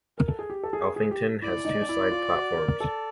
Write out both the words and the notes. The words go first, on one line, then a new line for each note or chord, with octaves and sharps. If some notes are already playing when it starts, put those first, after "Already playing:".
Alphington has two side platforms.
A#4
A4
G#4
G4
A4
G#4
G#4
G4
E4 D5
D#4
E4
F4
F#4
A#4
A4